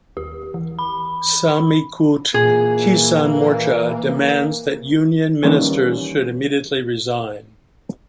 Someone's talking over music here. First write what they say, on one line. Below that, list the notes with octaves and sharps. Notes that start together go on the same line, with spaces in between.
Samyukt Kisan Morcha demands that Union Ministers should immediately resign.
D#2 G4
E3
B5
A#2 E3 A#3 G#4
D#3 E3 G3 A#3 C#4